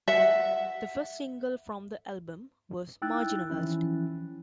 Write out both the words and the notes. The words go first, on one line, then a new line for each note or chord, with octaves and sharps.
The first single from the album was "Marginalized".
E5 F#5
D#4 E4 G5 E6 F#6 A6
E3 F3 C#4 E4